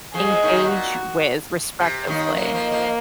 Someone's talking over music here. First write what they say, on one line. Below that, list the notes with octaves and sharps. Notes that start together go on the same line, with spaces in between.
engage with respectively.
F2 F3 G#4
D#2 D#3
A#2 F#4
C3
D#2 D#3
F#2 F#3 A#3
F2 F3
F2 F3